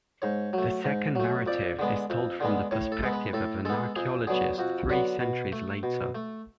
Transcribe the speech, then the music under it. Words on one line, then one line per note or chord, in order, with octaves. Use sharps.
The second narrative is told from the perspective of an archaeologist three centuries later.
G#2 C#5
F#3 A3
G#2
F#3 A3
F2 D5
D3 G#3 B3
F2
D3 G#3 B3
A2 C#5
A4
G#3 B3
B4
A2 A4
G#3 B3 A4
F2 G#4
D3 F#3 B3 G#4
F2 F#4
D3 F#3 B3 F#4
B2
A3
B2
A3